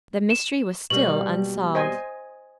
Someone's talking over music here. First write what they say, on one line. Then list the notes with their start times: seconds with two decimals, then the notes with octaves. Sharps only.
The mystery was still unsolved.
0.30 E7
0.90 B2 G3 A#3 F#7
1.75 C5 D#5 G#5